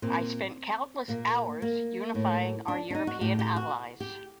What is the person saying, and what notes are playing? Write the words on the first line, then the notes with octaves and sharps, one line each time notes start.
I spent countless hours unifying our European allies.
A#2 C4
A#2 A#3
A#3
A2
D4
D4
D#4
F#4
A2 G4
G4
F#4
G4